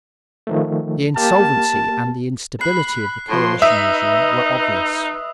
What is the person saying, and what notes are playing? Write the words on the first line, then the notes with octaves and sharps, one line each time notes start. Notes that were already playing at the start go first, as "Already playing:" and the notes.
The insolvency and the instability of the coalition regime were obvious.
D#3 F3 A3
A#3 G4 A5 F6
B5 F#6 C7
A2 F3 C6
D#4 B4 D#5 E5 D#6 E6